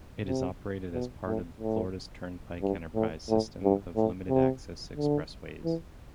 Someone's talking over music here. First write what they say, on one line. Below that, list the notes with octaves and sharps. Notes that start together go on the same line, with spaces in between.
It is operated as part of the Florida's Turnpike Enterprise system of limited-access expressways.
C3
B2
A2
A2
G2
A2
A2
G2
A2
C3
D3
E3